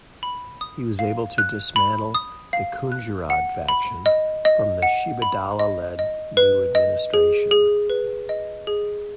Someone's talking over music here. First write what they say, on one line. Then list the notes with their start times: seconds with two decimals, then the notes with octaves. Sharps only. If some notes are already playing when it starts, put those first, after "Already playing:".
He was able to dismantle the Khunggirad faction from the Shidibala-led new administration.
0.23 B5
0.61 D#6
0.99 F5
1.38 F#6
1.76 B5
2.15 D#6
2.53 F5
2.92 F#6
3.30 F#5
3.69 B5
4.06 D#5
4.45 D#5
4.82 F#5
5.22 B5
5.59 D#5
5.99 D#5
6.37 B4
6.75 D#5
7.14 G#4
7.51 G#4
7.90 B4
8.29 D#5
8.67 G#4